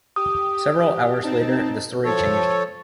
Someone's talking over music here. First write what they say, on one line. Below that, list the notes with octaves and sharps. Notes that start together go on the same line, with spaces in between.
Several hours later the story changed.
G4 D#6
C4 D#4 A5
F3 A4 C#5